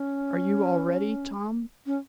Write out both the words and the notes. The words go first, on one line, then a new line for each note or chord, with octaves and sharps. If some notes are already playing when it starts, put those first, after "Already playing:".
"Are you all ready, Tom?"
Already playing: C#4
C#4